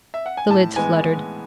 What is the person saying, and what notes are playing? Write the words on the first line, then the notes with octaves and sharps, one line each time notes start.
The lids fluttered.
E5
F#5
G#5
A2 A5
E3 G#3 B3 G#5